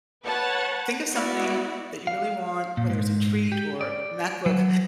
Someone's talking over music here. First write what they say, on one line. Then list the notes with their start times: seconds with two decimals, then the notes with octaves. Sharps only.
Think of something that you really want, whether it's a treat or MacBook,
0.25 B4 C#5 F#5 A5
1.11 B3 E4 F#4 D5
2.07 F5
2.77 A#2
2.90 G#2
3.52 G4
3.81 D5
4.46 F#3